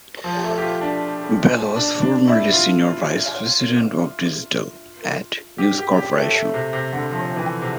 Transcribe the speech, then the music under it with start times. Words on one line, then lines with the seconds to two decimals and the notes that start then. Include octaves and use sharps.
Bell was formerly Senior Vice President of Digital at News Corporation.
0.24 F3
0.43 A3
0.58 G4
0.62 F4
0.81 D4
1.76 D4
2.02 D4
2.28 E4
2.52 F4
5.58 G4
5.78 G4
5.97 G4
6.16 A3
6.35 A3
6.54 C3
6.73 C3
6.93 D3
7.11 F3
7.36 E3
7.62 C3